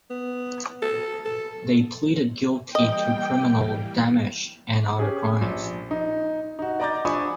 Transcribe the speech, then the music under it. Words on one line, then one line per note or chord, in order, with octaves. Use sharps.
They pleaded guilty to criminal damage and other crimes.
B3
A4
A4
E3 G3 A#3 D#5 G5
C#4 G4 G#4
A#1
D#4
D#4 F#4
D5 D#5 A#5 D6 G6 A6
F3 D4 G#5 B5 C#6 D#6